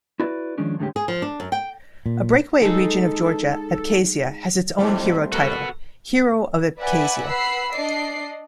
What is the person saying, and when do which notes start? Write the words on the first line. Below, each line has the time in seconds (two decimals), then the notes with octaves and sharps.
A breakaway region of Georgia, Abkhazia, has its own hero title, "Hero of Abkhazia".
0.20 E4 F#4 B4 D5
0.58 D#3 F3 G#3 C#4 D4
0.79 E2 A2 D3 G#3 C#4 G4
0.96 G#4
1.08 F3
1.22 D4
1.40 F#2
1.52 G5
2.06 A#2
2.62 G#3 D#4 A4
4.79 F2 G#2 G3 A3 C4
5.32 B3 F#4 A4 A#4
6.80 B4 D5 E5 F#5 G#5
7.25 B4 F#5 B5 E6 C7
7.73 D4 D5 D#5 C7